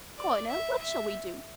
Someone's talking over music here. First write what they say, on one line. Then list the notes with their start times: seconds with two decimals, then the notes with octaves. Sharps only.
Coronel, what shall we do?
0.18 D5
0.49 E5
0.79 E5